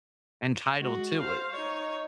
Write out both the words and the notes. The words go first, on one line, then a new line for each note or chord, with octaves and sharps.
entitled to it.
G#3 F#4
C5 F5
D#4 C#5